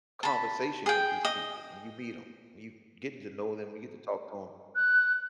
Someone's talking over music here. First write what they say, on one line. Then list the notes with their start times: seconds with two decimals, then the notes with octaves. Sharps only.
conversation with these people, when you meet 'em, when you getting to know them, you get to talk to 'em.
0.23 A5 B5
0.86 G#4 G5
1.25 D#5
4.75 F#6